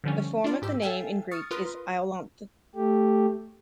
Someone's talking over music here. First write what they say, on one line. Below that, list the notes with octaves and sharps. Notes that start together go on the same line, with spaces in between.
The form of the name in Greek is "Iolanthe".
D3 F3 G3 C#4
D4 F4 D5 C6
G#2 G4 E6
A4 E5 F5 G5 G#5
C#6 D#6 F6 A6 C#7
F4 A#4 B4 C6 D#6
A3 G4